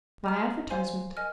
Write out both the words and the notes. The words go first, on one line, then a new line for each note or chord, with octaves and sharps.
"By advertisement."
D#5 A#5 F6
C5 F5 G#5 C6
A#4 D#5 G#5 F6